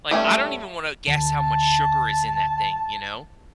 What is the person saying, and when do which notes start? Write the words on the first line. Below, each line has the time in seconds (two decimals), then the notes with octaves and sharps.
like, I don't even wanna guess how much sugar is in that thing, you know?
0.11 G3 A3 C#4 G#5
1.07 D2 A5